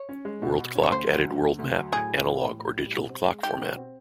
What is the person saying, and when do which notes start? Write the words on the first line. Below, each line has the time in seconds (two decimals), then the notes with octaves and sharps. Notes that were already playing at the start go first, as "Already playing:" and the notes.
World clock added world map, Analog or Digital clock format.
Already playing: C#5
0.09 C#4
0.25 G#3
0.42 B2
0.59 B2
0.75 C#4
0.83 C#5
0.91 D2 C5
1.09 F#3
1.25 D3
1.42 D2
1.59 D2
1.76 F#3
1.93 A2 G#4
2.09 G3
2.26 E3
2.43 A2
2.59 A2
2.76 G3
2.94 B2
3.10 C4
3.27 G#3
3.43 D#4 G4
3.60 B2
3.77 C4